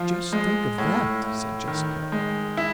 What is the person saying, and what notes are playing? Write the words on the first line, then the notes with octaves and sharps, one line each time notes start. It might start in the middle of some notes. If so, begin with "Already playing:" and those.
"Just think of that!" said Jessica.
Already playing: F3 F4
G#3
A2
A2
D#3
G#3
E4